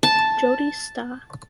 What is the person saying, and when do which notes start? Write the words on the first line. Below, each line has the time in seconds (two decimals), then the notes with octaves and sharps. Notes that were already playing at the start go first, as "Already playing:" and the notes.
Jodi Sta.
0.03 A5